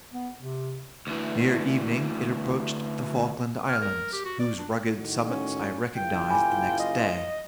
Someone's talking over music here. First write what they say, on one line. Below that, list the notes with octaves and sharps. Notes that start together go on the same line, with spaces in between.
Near evening it approached the Falkland Islands, whose rugged summits I recognized the next day.
B3
C3
D2 E3
F6
A#4
G4
F#4
D5
D4
A2 D#3 F#4
C#4
F#1 E4 F4 G5
G#5 B5 D6
D#5